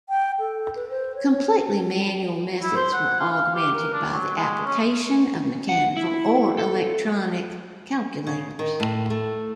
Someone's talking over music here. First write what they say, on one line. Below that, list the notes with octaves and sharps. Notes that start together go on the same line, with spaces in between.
Completely manual methods were augmented by the application of mechanical or electronic calculators.
G5
A4
B4
C5
C#5
C#5
E4
C5
F#5
F4
F5
G4
A#4
D4
F#3
G#3
C#4
F#5
E4
A4
C#3
D#3
A2
A3